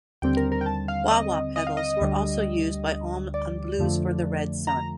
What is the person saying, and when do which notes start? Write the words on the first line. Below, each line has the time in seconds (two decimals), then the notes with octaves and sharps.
Wah-wah pedals were also used by Homme on Blues for the Red Sun.
0.22 D#2 D3 G3 C4 G5
0.37 A#4
0.52 A#4
0.61 G5
0.66 A5
0.88 F5
1.11 D#5
1.56 D#5
1.67 F5
1.77 D#5
2.01 D2 D3 G3
3.34 D5
3.79 F2 D3 F3 A3
4.67 A#5